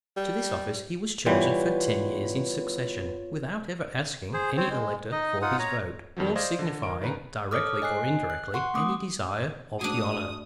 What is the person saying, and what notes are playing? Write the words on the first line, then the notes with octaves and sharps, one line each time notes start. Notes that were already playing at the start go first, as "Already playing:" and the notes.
To this office he was chosen for ten years in succession, without ever asking any elector for his vote, or signifying, directly or indirectly, any desire of the honor.
G3
E3 G3 B3 F4 C#5
G#4 C5
C4 C5 C#5
G#3
D#4 D#5
D#4 F4 F#5 D#6
C#5 A#5
F2 D#3 F3 F#3
C5 D5 D#5 F5 G#6 A#6
D3
A#4 D7
D#3 B4 A#5
A4 C#5 D6 D#6 F6
D#5 G#5 F#6 C7
F#6
F#5 C6 C#6
A3 C4 D6 D#6
G#3 A3 D4 F#4 G#4 D#6